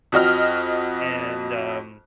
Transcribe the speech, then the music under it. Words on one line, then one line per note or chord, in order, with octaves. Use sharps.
and, um,
F2 F#4 D#5 F6